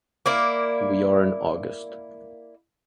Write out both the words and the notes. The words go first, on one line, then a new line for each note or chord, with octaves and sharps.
We are in August.
A#3 E4 D5